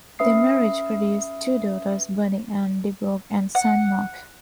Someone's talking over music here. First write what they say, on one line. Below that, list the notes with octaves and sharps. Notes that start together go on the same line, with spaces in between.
Their marriage produced two daughters, Bunny and Deborah, and a son, Marc.
C#4 B4 E5 D#6 C7
F#5